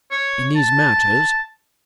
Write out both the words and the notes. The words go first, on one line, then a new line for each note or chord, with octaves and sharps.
In these matters.
C#5
A5